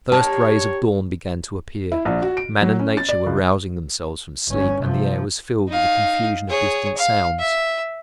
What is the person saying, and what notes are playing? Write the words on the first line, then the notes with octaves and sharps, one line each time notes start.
The first rays of dawn began to appear: man and nature were rousing themselves from sleep and the air was filled with the confusion of distant sounds.
D4 G4 A#4 C#5 A5
E4
A#1
F#4
D7
F#3
C#4
A6
D5
C#2
G1 C#4
C3 F3
D#4 F5
G#4 C#5
F5
E5